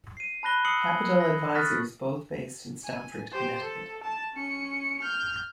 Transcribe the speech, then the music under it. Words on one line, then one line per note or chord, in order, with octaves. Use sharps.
Capital Advisors both based in Stamford, Connecticut.
C7 D#7
A5 B5 F#6 A#6 G7
D#6 E6 C7 C#7 F#7
G#6
A#6
C#6 D#6 F6 F#6 A6 B6
G#5
G4 C5
A4
A5
C#4 C#7
F6 G6